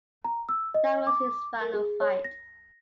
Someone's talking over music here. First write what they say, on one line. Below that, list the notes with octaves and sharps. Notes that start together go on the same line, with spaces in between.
That was his final fight.
A#5
E6
D#5
D6
A#4
G#4
C#5
A#6